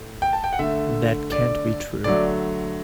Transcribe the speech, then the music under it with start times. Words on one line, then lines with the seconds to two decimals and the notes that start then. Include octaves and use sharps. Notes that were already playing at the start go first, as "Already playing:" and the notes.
That can't be true.
Already playing: A2 A3
0.22 G5
0.33 A5
0.44 G5
0.53 F#5
0.59 D3 A3 E5
1.32 D5
2.04 D3 F#3 A3 D5